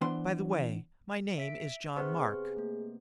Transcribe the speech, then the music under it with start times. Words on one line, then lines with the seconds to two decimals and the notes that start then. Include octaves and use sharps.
"By the way, my name is John Mark."
0.01 E3 B3 D4 C5 C6
1.38 E5 B6 D7
1.97 C3 B3 G#4 C6 C#6 F6
2.57 A3 A#3